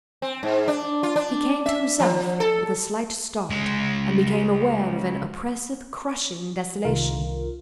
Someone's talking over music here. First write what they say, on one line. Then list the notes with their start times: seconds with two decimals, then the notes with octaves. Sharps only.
He came to himself with a slight start, and became aware of an oppressive, crushing desolation.
0.22 C4
0.43 G#2
0.68 D4
1.03 F4
1.16 D4
1.66 E5
2.00 F3
2.40 A4
3.50 C#2 G#3
6.85 C2 D#3 F4 A#4